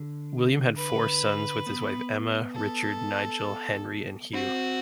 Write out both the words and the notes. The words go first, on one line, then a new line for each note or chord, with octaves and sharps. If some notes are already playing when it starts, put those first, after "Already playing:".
William had four sons, with his wife Emma; Richard, Nigel, Henry and Hugh.
Already playing: D3
B4
B3
A4
C4 F#4